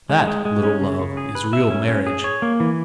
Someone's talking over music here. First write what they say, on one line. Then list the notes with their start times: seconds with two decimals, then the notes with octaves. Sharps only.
That, little Love, is real marriage.
0.10 G#3
0.28 G#3
0.45 G#3
0.63 C#4
0.81 C#3
0.99 C#3
1.17 G#4
1.35 B4
1.53 E5
1.70 C#4
1.88 C#4
2.06 G#4
2.24 C#5
2.42 A#3
2.60 E3